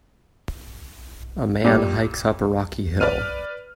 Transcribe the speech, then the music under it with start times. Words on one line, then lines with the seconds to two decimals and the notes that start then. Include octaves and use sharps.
A man hikes up a rocky hill.
1.64 A#2 G3
3.00 B4 D5 F6 D#7